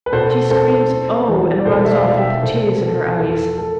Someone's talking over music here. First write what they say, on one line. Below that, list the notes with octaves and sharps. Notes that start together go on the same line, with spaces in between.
She screams 'Oh!' and runs off with tears in her eyes.
B4
B2 A4 C5
C4 A4 C5
C4
E2
D5
B2 A4 C5
E5
D5 F5
B2
E5 G5
C3 A4 C5
B3 A4
F2 A4
A4